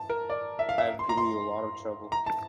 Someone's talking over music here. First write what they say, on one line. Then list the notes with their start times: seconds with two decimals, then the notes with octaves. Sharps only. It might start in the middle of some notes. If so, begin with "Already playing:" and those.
I've given you a lot of trouble.
Already playing: A5
0.10 A#4
0.30 D5
0.59 E5
0.69 F5
0.78 E5
0.99 C6
1.09 A#5
1.17 C6
2.12 A#5
2.26 A5